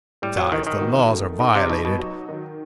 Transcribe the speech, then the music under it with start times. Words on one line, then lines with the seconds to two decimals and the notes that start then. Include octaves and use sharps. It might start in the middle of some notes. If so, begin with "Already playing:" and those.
Besides, the laws are violated.
0.22 A2 G3
0.37 F#3
0.52 D#3 E3
0.67 D#3
0.81 B2
1.11 A3
1.40 D#4
1.55 C3
1.70 B2 D#4
1.85 B2
1.99 F#3
2.29 D#3